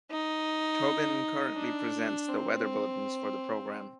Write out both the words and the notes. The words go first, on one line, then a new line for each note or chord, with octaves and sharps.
Tobin currently presents the weather bulletins for the programme.
D#4
D4
C4